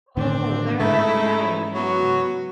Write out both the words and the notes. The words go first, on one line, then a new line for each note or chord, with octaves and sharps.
Oh, there are many.
A2 D3 D#3 C4 D4
G#2 C#3 G#3 A3 D#4 E4
F#3 B3 F#4